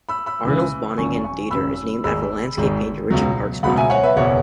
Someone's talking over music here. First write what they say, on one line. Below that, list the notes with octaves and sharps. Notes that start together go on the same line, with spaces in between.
Arnold's Bonington Theatre is named after the landscape painter Richard Parkes Bonington.
B5 E6
B5 E6
C#2 C#3 E3
G#1 F#2 C#3 G#5 C#6
G#5 C#6
G#1 F#2 C#3 B5 E6
G#1 G#2 G#3 B5 E6
G#1 G#2 G#3
C#2 B2 F#3
C#2 B2 F#3 F#5 B5
E5 G#5
C#5 F#5
B4 E5
F#1 E2 B2 C#5 F#5